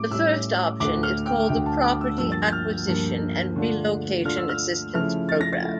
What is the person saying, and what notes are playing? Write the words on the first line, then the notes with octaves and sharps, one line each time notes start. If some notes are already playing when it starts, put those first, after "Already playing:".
The first option is called the Property Acquisition and Relocation Assistance Program.
Already playing: A2 G3 C#4 D6
A2 G3 C#4 E6
D2 D3 A3 D6
F6
G5
D2 D3 A3 G5
A5
D6
E6
G2 F3 A#3 E6
A6
G6
F6
G2 F3 A#3
D3 A3 D4 F4
D3 A3 D4 F4 F6
E6
F6
C#3 F3 A3 E4 F6
A6
A#6
A6
A3 E4